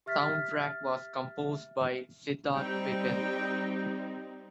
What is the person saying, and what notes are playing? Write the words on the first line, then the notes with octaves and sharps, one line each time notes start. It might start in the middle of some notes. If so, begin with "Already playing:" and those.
Soundtrack was composed by Siddharth Vipin.
G4 E5 F6 A6 B6
G3 C4 D#4 G5